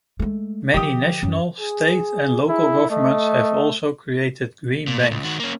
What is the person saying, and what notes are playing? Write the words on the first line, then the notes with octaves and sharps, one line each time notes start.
Many national, state, and local governments have also created green banks.
G#3 A3
D3 F3 G4 D#6
F#2
G#4
E4 G#4
A3 D#5
A#2
A#2 A3
C#2
D#3 F#4
A#3 C#4